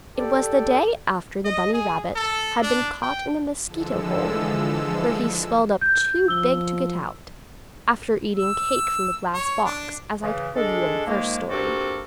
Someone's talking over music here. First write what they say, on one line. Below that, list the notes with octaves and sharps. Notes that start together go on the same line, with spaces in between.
It was the day after the bunny rabbit had been caught in the mosquito hole, where he swelled up too big to get out, after eating cake from the glass box, as I told you in the first story.
G4 A4 D5
D#5
G#4
A4
D4
G5
D3 E3 F3 G#3 A4 E6
G6
F3 E6 G7
E6
C#5
D4
C#3 E3
G#3 D4 A4
D#3 F3 G#3 A#3
A#3 C4 D4 F#4 G4 A4